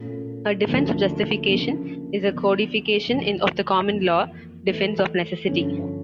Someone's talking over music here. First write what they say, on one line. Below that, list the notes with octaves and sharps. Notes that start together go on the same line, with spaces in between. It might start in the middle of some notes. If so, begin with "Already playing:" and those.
A defense of justification is a codification of the common law defense of necessity.
Already playing: A#2 A3 C#4
D2 D3 F3 A#3 C#4
C#3 F3 A#3 D4
E2 D3 F3
D2 D3 F3
F2 E3 A#3
E3 A3 E4
G2 D3 F3 C#4